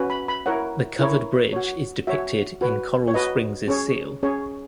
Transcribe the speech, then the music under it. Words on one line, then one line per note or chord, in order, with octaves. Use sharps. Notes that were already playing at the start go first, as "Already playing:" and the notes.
The Covered Bridge is depicted in Coral Springs' seal.
Already playing: C#4 F#4 B4
B5
B5
E4 A#4 C#5 F#5
E4 A#4 C#5
F#4 C#5
F#4 C#5 E5
F#4 B4
C#5
F#4 B4 D#5
C#4 G#4 C#5
C#4 G#4 C#5